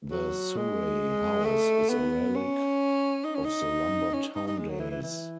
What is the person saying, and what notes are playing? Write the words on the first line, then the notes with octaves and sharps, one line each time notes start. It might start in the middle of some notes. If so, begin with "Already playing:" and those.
The Surrey House is a relic of the lumber town days.
F#3
G#3
A3
B3
C#4
D#4
C#4
D#4
C#4
D#4
D#4
G#3
F#3
E3
E3
E3